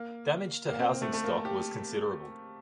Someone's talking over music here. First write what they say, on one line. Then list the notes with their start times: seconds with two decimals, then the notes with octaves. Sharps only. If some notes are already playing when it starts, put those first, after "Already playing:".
Damage to housing stock was considerable.
Already playing: A#3
0.68 A#3
0.79 C4
1.02 A3
1.13 A3
1.24 A#3
1.45 G4